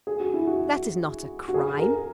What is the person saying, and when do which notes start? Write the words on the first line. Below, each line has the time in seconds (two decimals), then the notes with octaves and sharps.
That is not a crime.
0.07 G#4
0.20 F#4
0.34 E4
0.47 F#4
1.48 F#4
1.54 G#4
1.79 A#4